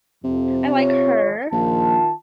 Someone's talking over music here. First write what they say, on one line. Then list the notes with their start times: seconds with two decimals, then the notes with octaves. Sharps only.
I like her.
0.24 F2 C3 F3
0.74 F4 C#5
1.52 A#1 D#3 F4 A5